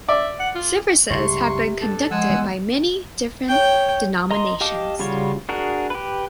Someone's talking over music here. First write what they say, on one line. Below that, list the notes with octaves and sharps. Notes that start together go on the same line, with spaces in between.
Services have been conducted by many different denominations.
D5 E5
F#5
F4
C#2 G2 C3 C6 C#6
G2 A4
F3 G#3 F#5 G#5 E6
E3 G3 B3
C#5 G5
D#5 A#5 C6
G4 D#5 F5 A5 D6
C#3 G3 F4 F#4 C#5
D4 F#4 G#4 A#4
G4 B4